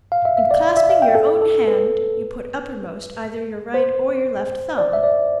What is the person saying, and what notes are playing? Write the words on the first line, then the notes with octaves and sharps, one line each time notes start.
In clasping your own hand, you put uppermost either your right or your left thumb.
F5
E5
E5
D5
E5
F5
G5
A4
A4
B4
C5
D5
E5
D5